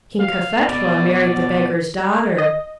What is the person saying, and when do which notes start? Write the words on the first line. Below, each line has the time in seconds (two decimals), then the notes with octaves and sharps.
King Cophetua married the beggar's daughter.
0.20 F5
0.69 B2 D5
1.08 D5
2.38 D#5